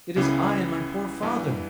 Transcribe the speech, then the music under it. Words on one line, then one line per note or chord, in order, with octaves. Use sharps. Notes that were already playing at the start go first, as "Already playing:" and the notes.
"It is I and my poor father."
C#2 C#3 E3 B3 E4
G2 E3 B3